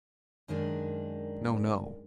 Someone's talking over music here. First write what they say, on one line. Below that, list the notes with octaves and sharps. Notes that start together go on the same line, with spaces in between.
No, no.
F#2 D#3 G#3 D4